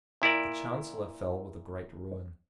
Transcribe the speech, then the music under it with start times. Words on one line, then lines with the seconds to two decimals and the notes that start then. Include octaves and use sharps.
The Chancellor fell with a great ruin.
0.22 A#2 E4 A#4 D5